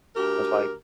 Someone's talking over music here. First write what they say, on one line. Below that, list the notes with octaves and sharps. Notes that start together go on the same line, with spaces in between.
It was like,
D2 G4 A#4